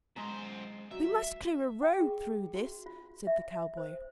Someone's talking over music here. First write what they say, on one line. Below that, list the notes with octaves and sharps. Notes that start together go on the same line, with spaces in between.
"We must clear a road through this," said the cowboy.
F#2 G#3 C5 A#5
F#3 E5
G5
G#4
F#4
F4
E5
C5